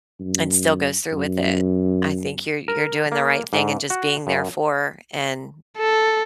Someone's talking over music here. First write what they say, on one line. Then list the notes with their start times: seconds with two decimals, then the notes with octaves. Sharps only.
and still goes through with it. I think you're you're doing the right thing and just being there for and
0.20 F#2
1.12 F#2
2.68 A#4
3.12 A#3
3.53 G#2
3.90 F#4
4.27 F#2
5.78 A4